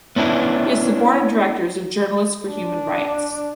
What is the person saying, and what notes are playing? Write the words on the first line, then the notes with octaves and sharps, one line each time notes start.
He is the Board of Directors of Journalists for Human Rights.
B3 C#4 D4 E4
D4